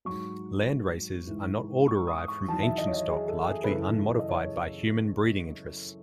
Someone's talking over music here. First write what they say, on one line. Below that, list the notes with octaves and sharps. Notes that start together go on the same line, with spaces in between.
Landraces are not all derived from ancient stock largely unmodified by human breeding interests.
G#2 F#3 C#6
G#2 E3
C#6
D#6
C#6
E2 D#3 F#3 A5
E5
D#5
C#5
D#5
G#4
A4
G#4
B4
F#2 C#3 E3 A4
D#5
C#5